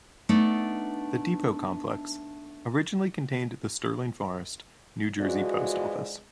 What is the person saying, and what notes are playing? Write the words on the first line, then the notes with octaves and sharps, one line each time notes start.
The depot complex originally contained the Sterling Forest, New Jersey post office.
A3 B3 D4 D#4
D3 E3 F3 G#3 F#4